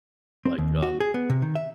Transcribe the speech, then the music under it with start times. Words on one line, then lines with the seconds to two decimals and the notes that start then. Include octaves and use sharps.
Like, um
0.45 C4
0.58 D#2
0.83 F#4
1.00 G#4
1.14 B3
1.30 C3
1.42 D#3
1.55 E5